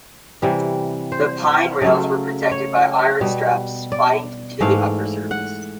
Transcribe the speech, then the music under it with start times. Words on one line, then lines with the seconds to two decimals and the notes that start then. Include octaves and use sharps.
The pine rails were protected by iron straps spiked to the upper surface.
0.42 C3 E3 G3
1.12 C5
1.82 C#3 F#3 A3
2.51 C#5
3.21 B2 G3
3.92 D5
4.60 G#2 E3 A3 F5
5.31 F#5